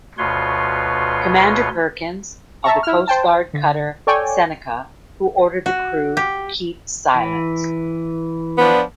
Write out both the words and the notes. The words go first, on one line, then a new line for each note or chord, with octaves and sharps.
Commander Perkins of the Coast Guard cutter Seneca, who ordered the crew keep silent.
D2 B2 F4 B4 C#5 C6
E5 A5 A#5 C#6
E4 F6
C5 G5 A5
D3
A4 C#5 D5 G5 G#5
F#4
G4
E3
F3 B3 D4